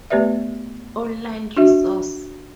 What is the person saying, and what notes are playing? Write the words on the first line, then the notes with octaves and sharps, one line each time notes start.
Online resource.
A3 B3 G4 B4 D5 E5
D4 F#4 E5